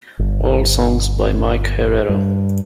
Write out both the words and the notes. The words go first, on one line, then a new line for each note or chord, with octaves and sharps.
All songs by Mike Herrera.
G1
G2